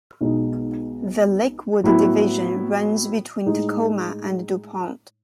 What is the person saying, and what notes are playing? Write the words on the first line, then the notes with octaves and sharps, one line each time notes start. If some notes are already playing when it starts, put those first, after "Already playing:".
The Lakewood division runs between Tacoma and DuPont.
B1 B2 G#3 D#4
A2 F#3 B3 E4
A2 G#3 D#4